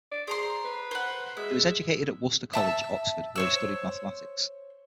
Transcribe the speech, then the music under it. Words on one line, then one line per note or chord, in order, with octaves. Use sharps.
He was educated at Worcester College, Oxford, where he studied mathematics.
D5
G#4 C5 A#5 C6
B4
C5 F#5
G#3 E5
E5 A5 E6
C5 C#5 E6